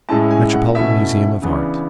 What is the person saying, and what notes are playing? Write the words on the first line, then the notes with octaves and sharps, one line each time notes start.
Metropolitan Museum of Art.
A2 G#3 C#4 E4 A5
G#5
F#5
B2 A3 C#4 E4 E5
C#3 E3 B3 D4